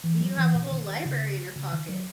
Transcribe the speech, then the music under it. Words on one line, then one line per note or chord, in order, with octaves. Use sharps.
Do you have a whole library in your pocket?
E3
F#3
E3
B2
D#3
C#3
C#3
D#3
F#3